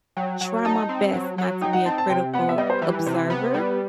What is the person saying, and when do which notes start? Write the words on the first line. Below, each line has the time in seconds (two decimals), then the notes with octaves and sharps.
try my best not to be a critical observer
0.17 F#3 G5
0.41 F#3
0.65 D#4 A5
0.89 C4
1.13 F#3
1.38 F#3
1.61 D#4 G5
1.73 F#5
1.86 C4 A5
1.98 A5
2.10 C3 G5
2.34 B3 F#5
2.49 E5
2.58 G3 D#5
2.70 C5
2.82 E3 B4
2.94 B4
3.06 C3
3.30 B3
3.54 G3 B4